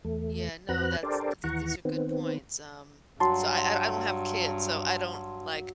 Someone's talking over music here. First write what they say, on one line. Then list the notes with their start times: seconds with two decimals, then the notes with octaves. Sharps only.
Yeah, no, that's, th these are good points, um, so, I I I don't have kids, so, I don't, like,
0.05 E2 A3
0.69 F2 C4 F#4 B4 A#5 F#6
1.03 D4 G4 A4 A#4 C5 D5
1.44 D#2 E3 F#5 A#5 C#6
1.85 D#3 B3 C4
3.20 G2 F#3 A5 C6